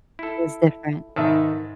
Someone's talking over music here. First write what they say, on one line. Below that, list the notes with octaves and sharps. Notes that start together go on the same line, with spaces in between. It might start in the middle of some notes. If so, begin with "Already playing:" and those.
It was different.
E4 A4
G#2 D#3 B4 E5 A5